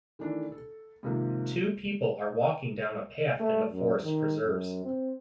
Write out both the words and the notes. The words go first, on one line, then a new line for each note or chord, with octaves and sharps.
Two people are walking down a path in the forest preserves.
D#3 E3 A3 D4
A4
G#2 C3 D#3 F3 A#3
A3
F#2
D#3
F#2
C4